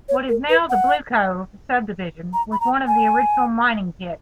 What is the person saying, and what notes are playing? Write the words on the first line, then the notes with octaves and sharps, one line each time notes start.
What is now the 'Blue Cove' subdivision, was one of the original mining pits.
C#5
A#4
B4
F#5
A#5
B5
A#5
G#5